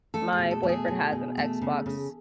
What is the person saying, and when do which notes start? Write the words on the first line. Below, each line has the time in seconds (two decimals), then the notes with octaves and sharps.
my boyfriend has an Xbox,
0.14 A3 A4
0.33 G#4
0.38 B2
0.51 A4
0.63 A3
0.69 G#4
0.88 B2
1.13 B2
1.37 A3
1.62 C#3
1.86 C#3